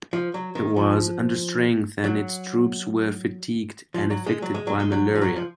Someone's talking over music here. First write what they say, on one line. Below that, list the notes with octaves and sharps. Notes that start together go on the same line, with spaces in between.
It was understrength and its troops were fatigued and affected by malaria.
F3
F#3
D#3
F3
F#3
F3
F#3
G#3
F#3
G#3
F#3
G#3
F#3
F3
F#3
F3